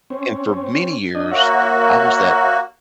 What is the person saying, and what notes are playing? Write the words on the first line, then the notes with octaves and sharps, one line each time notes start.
and for many years, d I was that
C4 C#4
D4 D#5
A#3 F#4 C#5 E5 F#5